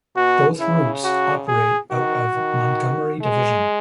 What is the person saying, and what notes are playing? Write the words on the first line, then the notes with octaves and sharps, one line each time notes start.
Both Routes operate out of Montgomery division.
B2 F#4
C#3 E4
F#4
G#4
D#3 F#4
D#3
G#3